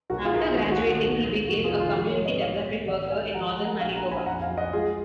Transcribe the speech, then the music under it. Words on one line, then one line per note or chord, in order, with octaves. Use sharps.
After graduating, he became a community development worker in northern Manitoba.
B1 F#4 A#4
F4 G#4
B1 A#4
F4 G#4
D#2 F#4
F#4
D#2
F#4
B1
B1
F1 F#4
F4 G#4
D#3
F4 G#4
F3 F#4 A#4
A#4 C#5
G#2
B4 D#5
B1 C#5 F5
B1
G#1 D#5 F#5
G#3 F5 G#5
F3 F#5 A#5
G#5 B5
G#3
F#5 A#5
A#1 F5 G#5
F#5 A#5
A#1
G#5 B5
F2 F#5 A#5
F5 G#5
F#3
D#5 F#5
G#3 F4 G#4